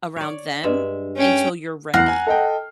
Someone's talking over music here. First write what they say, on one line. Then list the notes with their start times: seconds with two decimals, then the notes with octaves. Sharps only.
around them until you're ready.
0.16 C#5 D5
0.63 G2 G#3 E5
1.17 C#4 G5
1.94 E2 F#5 A#5 F6 C7
2.08 G#5
2.26 A4 D#5 G5